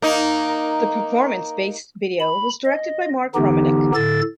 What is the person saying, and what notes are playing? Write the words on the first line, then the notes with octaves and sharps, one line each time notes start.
The performance-based video was directed by Mark Romanek.
A#3 D#4
B5
D#5
D3 E3 B3 D#4 G4
A2 D3 A4 A6